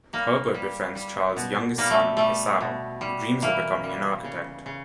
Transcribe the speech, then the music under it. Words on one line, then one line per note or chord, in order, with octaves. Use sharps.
Herbert befriends Charles' youngest son, Hissao, who dreams of becoming an architect.
G3 A#3
G3
G3
B2
G3 A#3
A3
G3 A3
B2
G3
E3 A#3
G3
C#3
C#3